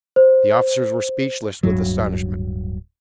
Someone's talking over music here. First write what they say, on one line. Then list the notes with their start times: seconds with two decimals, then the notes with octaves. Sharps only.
The officers were speechless with astonishment.
0.16 C5
1.63 D1 G2 F#3